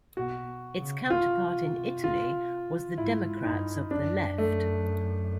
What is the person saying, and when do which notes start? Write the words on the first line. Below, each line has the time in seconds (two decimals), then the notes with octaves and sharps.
Its counterpart in Italy was the Democrats of the Left.
0.17 B2 F#4
0.78 C#3
1.10 C3 F4
2.04 F4
2.98 G#2 E4
3.44 G2 D#4
3.91 F#2 D4
4.38 A3